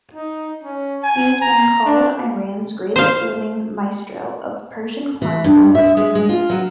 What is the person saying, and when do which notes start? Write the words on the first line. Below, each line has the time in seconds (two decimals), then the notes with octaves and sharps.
He has been called Iran's greatest living maestro of Persian classical music.
0.15 D#4
0.64 C#4
1.03 G#5
1.41 A#5
1.86 D4
2.96 C5 F5
5.22 E3
5.44 G2
5.75 E5
5.97 G#3
6.15 G#3
6.29 F4
6.50 F#3